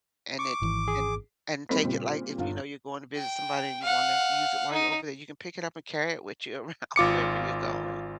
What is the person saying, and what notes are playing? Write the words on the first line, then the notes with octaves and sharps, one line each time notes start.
and it, and and take it, like, if, you know, you're going to visit somebody and you wanna use it while you're over there, you can pick it up and carry it with you around wherever you're going.
C#6 D6
G#1 E3
G#4
G3 A#3 C4 D#4 B5 B6
A#2 C#3 G3 C4 G4
G1 F4
G5
F5 F#5
D#4
G#1 F4 D6 C#7